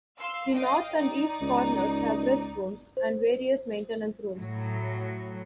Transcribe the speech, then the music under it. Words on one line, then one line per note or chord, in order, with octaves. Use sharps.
The north and east corners have restrooms and various maintenance rooms.
F5 C6 E6
D#5 F5 G5
D#4 D5
C#2
C5
A2 F#3